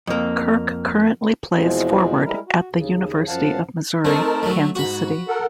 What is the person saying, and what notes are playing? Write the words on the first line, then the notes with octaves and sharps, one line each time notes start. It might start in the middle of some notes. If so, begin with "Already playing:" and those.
Kirk currently plays forward at the University of Missouri-Kansas City.
F2 A#3
E2 B2 E3 F3 G#3 C4
G3 G#3 E4 A#4
F#4
D#2 C#3
F#2 F3 F5 F#5 A5
A3 C4 D#4 A#4 A5
F#3 A3
G#2 F#4 B5
A4 A#4 F#5